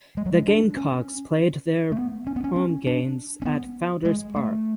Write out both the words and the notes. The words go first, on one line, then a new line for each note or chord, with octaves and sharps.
The Gamecocks played their home games at Founders Park.
G#3
F#3
G#3
D4
C#4
A3
B3
C#4
B3
C#4
C#4
D4
C#4
B3
G#3
A3